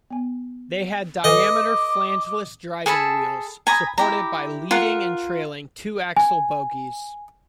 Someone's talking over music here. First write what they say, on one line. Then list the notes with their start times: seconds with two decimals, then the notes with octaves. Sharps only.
They had diameter flangeless driving wheels, supported by leading and trailing two-axle bogies.
0.10 B3 G#5
1.24 A4 B4 D#5 G#5 D6
2.86 G#4 A4 A5 B5
3.67 G#5 A#5 B5 D#6
3.98 E4 G4 A#5
4.71 F4 A#4 F#5
6.17 G#5